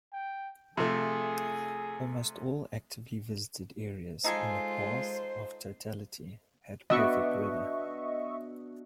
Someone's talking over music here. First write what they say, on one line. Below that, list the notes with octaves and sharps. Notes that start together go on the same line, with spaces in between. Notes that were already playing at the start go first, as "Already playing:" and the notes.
Almost all actively visited areas in the path of totality had perfect weather.
G5
C3 F3 A3 G#4
G#3 D#4 F4 A4 C5 G#5
B3 D4 F#4 D#5 E5 C#6